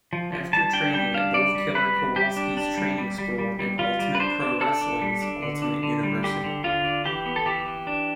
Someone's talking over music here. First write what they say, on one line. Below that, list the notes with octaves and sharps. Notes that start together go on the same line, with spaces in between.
After training at both Killer Kowalski's training school and Ultimate Pro Wrestling's Ultimate University.
F3
F3
G3 A5
D4 G5
G3 G5
D4 F5
G3 D5
G3
G3 B4
G3
G3 G4
D4
D4
G3
G3
G3
G3
G3
G3 F4
G3
B4
D4 C5
D4
D4 A4
D4
G3
D4
D3
D4
D3
G3
D3 G4
D3
D3 F4
D4
E3 G4
B3
A4
E3 G4
E3
D4